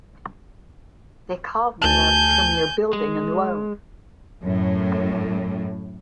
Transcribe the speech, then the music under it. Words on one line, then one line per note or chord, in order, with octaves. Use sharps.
They called me up from your Building and Loan.
D2 G#5 A5 G6
G#3
F#2 A2